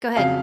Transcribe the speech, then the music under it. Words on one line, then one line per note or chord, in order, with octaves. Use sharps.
Go ahead.
F2 C#3 F#3 F5